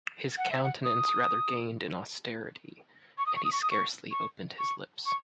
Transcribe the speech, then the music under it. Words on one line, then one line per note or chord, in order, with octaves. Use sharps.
His countenance rather gained in austerity; and he scarcely opened his lips.
F#5
E5
F#5
D#6
C#6
D#6
C#6
D#6
C#6
D#6
C#6
C#6
C#6
C#6